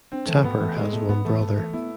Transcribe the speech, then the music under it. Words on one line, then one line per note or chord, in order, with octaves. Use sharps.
Tapper has one brother.
C4 D4
E3 A3
G#2 B3
E3 A3
G#2 G#3
A3 B3
G#2 B3
E3 A3
G#2 A3
E3 A3
B3 E4